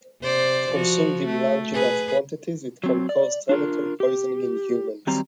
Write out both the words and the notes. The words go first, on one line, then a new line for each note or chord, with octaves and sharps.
If consumed in large enough quantities, it can cause tremetol poisoning in humans.
C3 C5 D5
F3 F#4
A3
G#4 B4
F#3 C4
D5
D4 F4 A#4
G4
D#3 F#3 G3 C4 A#5